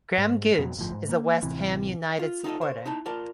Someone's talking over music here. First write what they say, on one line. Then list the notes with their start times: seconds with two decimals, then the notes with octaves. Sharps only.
Graham Gooch is a West Ham United supporter.
0.18 G#2
0.58 F2 B2 F#3
0.77 G1 A2 F3
0.92 G#2
1.09 A#3
1.43 A1 C3 E3
2.19 F4
2.44 D#4 F4 G#4 A4 D#5
2.61 C5 C#5
2.86 D#4 E4 A5
3.06 F4 A#4 D5 A5